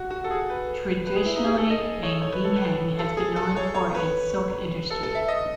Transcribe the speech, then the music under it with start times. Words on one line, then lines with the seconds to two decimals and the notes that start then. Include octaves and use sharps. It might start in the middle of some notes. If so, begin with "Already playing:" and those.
Traditionally, An Giang has been known for its silk industry.
Already playing: F#4
0.10 F#4
0.24 A4
0.30 G#4
0.50 B4
1.07 B4
1.16 G#4
1.25 E4
1.36 D#4
1.44 G#4
1.58 A4
1.70 D#5
2.03 C#5
2.22 C#5
2.33 B4
2.44 A4
2.56 B4
2.99 A4
3.17 G#4
3.36 A4
3.56 C#5
3.74 C#5
3.95 B4
4.90 A4
5.03 A4
5.15 E5
5.28 D#5